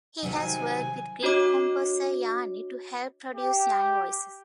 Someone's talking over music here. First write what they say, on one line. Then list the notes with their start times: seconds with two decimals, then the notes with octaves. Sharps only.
He has worked with Greek composer Yanni to help produce "Yanni Voices".
0.23 C3 D#3 F#3 G#5
1.23 D4 F#4 C#5 D#5 D6
3.35 G4